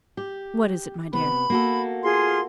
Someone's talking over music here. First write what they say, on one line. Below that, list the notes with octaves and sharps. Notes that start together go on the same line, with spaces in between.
"What is it, my dear?"
G4
C3 B3 B5
A#3 F#4 A4
F4 G#4 C6